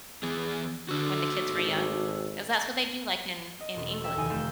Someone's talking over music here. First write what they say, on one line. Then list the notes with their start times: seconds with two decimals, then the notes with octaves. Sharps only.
when the kids were young, 'cause that's what they do, like, in in England.
0.23 E3 B3 G#4
0.89 D3 F#4 A4
1.50 G#1
3.60 D#5
3.76 E1
3.90 A4
4.03 A#4 E5 G5 G#6 E7
4.17 F1 D#2 D#3 D#4 G#5
4.30 F1 A3 F5 G6 E7